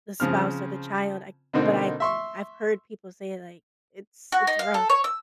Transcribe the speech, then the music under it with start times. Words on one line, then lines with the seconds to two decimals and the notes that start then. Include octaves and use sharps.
the spouse or the child- I but I I've heard people say, like, it's it's rough.
0.20 C#3 F3 C4 F6
1.53 B2 D3 A#3 C4 D#4
2.00 E5 C6 C#6
4.32 F#4
4.47 D#4
4.59 F5
4.74 A4
4.90 C#5
5.04 E6